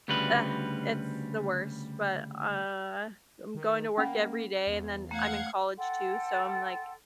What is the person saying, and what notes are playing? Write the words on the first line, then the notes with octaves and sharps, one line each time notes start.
ugh it's the worst but, uh, I'm going to work every day and then, I'm in college, too, so I'm, like,
D2 C#3 G3 F4 F#4 B4
D#3
A#3 C#4 F#5 B5
E2
A3 F5 F#5 A#5 G#6
A4 F#5 G5 C6